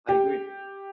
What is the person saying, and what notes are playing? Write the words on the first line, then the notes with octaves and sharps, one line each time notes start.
I agree.
G4